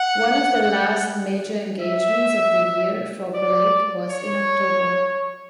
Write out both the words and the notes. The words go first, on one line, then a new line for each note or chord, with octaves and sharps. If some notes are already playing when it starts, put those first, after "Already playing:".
One of the last major engagements of the year for Blake was in October.
Already playing: F#5
E5
D5
C#5